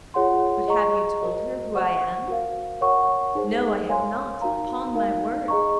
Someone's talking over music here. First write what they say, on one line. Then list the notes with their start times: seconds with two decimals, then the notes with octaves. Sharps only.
But have you told her who I am?" "No, I have not, upon my word.
0.14 F4 G#4 C#5 F#5 C6
0.68 G#4 D#5 A#5 C#6
1.21 F#4 A#4 D#5
1.75 C5 F#5 C#6
2.28 F#4 A#4 F5
2.81 A#4 C#5 F#5 C#6
3.35 D#4 G#4 C5
3.88 A#4 C#5 F5 G#5 C6
4.42 D#4 F#4 A#4 F5 A#5
4.95 D#4 A#4 F5
5.48 G#4 D#5 A#5 C#6